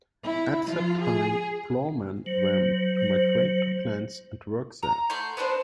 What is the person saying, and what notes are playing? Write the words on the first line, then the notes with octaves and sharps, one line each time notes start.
At that time ploughmen were to migrate to plants and work there.
E4
F3 F4
G#4
F#3 C5
A#5
A3 F#5 C6 G6
B3 C4 D4 C5